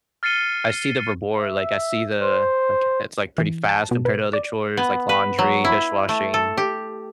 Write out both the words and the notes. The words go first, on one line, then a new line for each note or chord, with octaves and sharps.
I see the reward, like, I see the like, it's like pretty fast compared to other chores like laundry, dishwashing.
F6 A6 C7 C#7 D#7 G7
E5
C5
E3
A5
B2
B4
D5
B3
B4
F#3
E4
A3
A4
G4